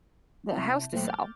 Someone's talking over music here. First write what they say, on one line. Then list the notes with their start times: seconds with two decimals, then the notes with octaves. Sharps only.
the house to sell,
0.50 C3 E4 A5 G6
0.93 A#2 F#3 A3 C5 G5 F#6
1.07 D6 F6 G6 A6